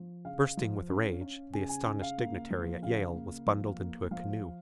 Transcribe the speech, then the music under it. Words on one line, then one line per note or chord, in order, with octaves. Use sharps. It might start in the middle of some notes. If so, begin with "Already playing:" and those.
Bursting with rage, the astonished dignitary at Yale was bundled into a canoe.
Already playing: F3
C#3 F5
F3
C#4
C#4
C#3 G#5
G#5
C#3 G#5
F5
A#3
F3
C#3 F5
A#3
F3
A#3
F3 F5